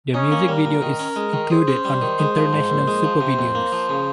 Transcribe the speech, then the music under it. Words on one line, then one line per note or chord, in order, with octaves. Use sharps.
The music video is included on "International Supervideos!".
C#4 D#4
A#3
G3 A#4
A#2
D#3
C#4
G#3
D#3
G#4 C5
C#4
G3
D#3
G#3
F3
G#2
A#1
G#3
F3
C3
F2
A#3
F3
C#3